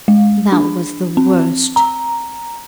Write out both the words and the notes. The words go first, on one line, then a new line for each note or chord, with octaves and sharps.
That was the worst!
G#3
D4
C4
A#5